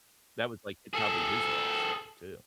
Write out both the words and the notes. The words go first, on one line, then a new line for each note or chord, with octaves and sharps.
That was like e probably his last thing, too.
G#4 A4